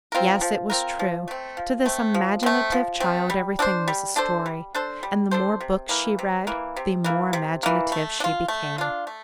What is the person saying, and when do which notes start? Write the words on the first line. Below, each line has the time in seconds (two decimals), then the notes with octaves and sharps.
Yes, it was true; to this imaginative child everything was a story; and the more books she read, the more imaginative she became.
0.12 C4 F4 A#4
0.41 F3
0.70 C4 F4 A#4
0.99 F3
1.28 A3 C4
1.57 F3
1.86 A3 C4
2.14 F3
2.43 A3 C4
2.72 F3
3.00 A3 C4
3.30 G3
3.59 D4 A4 C5
3.88 G3
4.16 D4 A4 C5
4.46 G3
4.75 D4 A4 C5
5.03 G3
5.31 D4 A4 C5
5.61 C3
5.89 E3 A#3
6.19 C3
6.47 E3 A#3
6.77 C3
7.04 E3 A#3
7.33 C3
7.63 E3 A#3
7.92 A3
8.20 D4
8.24 F4
8.48 A3
8.78 D4 F4
9.07 A3